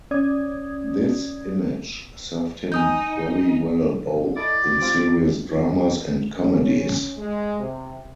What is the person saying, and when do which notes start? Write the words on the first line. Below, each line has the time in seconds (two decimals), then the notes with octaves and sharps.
This image served him very well both in serious dramas and comedies.
0.11 C#4 D5 D#6 G#6
2.72 D#4 G#5 D#6 G6
4.37 E4 A4 D5 D#5
4.64 F#4
4.81 C4 F4 G4
5.52 F3
6.35 C#4
7.17 G#3
7.60 C3